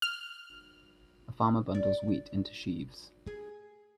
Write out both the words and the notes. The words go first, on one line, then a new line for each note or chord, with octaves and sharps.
A farmer bundles wheat into sheaves.
F6
D5
G#4